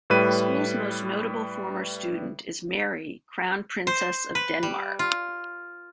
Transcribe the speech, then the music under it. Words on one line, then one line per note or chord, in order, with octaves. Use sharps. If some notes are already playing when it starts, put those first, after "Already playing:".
The school's most notable former student is Mary, Crown Princess of Denmark.
A2 G3 B4 D#7
C5
B4
G3
F4